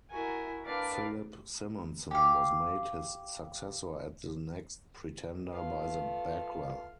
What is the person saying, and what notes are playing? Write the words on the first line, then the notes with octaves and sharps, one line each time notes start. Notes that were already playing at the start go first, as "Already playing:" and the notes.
Philip Simonsson was made his successor as the next pretender by the Bagler.
E4 F#4 A#4 G#5
D4 A#4 B4 D5 F5 G5
G4 F5
A3 B3 F4 F5